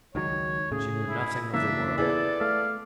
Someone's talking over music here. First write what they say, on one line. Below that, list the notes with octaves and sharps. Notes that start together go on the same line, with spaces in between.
She knew nothing of the world.
C#2 D#3 F#3 C#5
A2 C#3 G#4
E4
C#3 E3 A#3 D4 E5
B3 E4 G#4 A4 D5
A3 F5